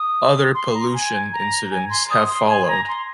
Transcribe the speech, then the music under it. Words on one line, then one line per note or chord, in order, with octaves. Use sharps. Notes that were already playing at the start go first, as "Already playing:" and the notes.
Other pollution incidents have followed.
Already playing: D#6
C6
A#5
G#5
A#5
G#5
C6
D#6
C6
G#5
A#5
C6